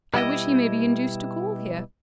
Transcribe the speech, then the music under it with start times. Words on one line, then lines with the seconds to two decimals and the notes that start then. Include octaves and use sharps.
I wish he may be induced to call here.
0.14 B2 G3 E4 D#5